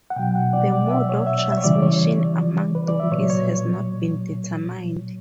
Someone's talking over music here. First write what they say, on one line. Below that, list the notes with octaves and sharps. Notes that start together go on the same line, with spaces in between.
The mode of transmission among donkeys has not been determined.
F#5
B2 F#3 G5
F#5
D5
D5
E5
C#5
E5
E5
E5
C#5
C#3 E3 G3 D5
C#5
B4
D5
E5
A#2 F#3 C#5
C#5